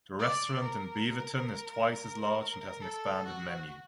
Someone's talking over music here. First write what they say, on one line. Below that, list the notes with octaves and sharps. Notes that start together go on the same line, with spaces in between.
The restaurant in Beaverton is twice as large and has an expanded menu.
D5
A#4
A4
F#4